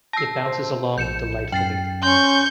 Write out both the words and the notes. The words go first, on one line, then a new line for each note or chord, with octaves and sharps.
It bounces along delightfully.
A5 E6 A#6 C7
C5
A#1 G6 C#7 E7
F#2 G5 A6 C7
C#4 C6 C#6 G6